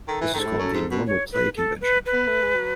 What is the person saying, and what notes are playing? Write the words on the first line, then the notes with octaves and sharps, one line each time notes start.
This is called the "normal play" convention.
D#3 A4
E3
D#3 A4
G#2
A2
F#2
G#2
B2
C#5
B4
A4
B4
B4
B3
A3
G#3
F#3